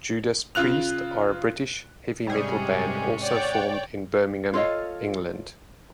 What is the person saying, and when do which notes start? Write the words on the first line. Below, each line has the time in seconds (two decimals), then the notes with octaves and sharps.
Judas Priest are a British heavy metal band also formed in Birmingham, England.
0.55 C#3 F4 F#6 F7
2.27 G#2 C3 G3 C#4 G#4
3.23 C#5 D5 F#5 G5
4.54 F4 A4 C#5 D#5 F5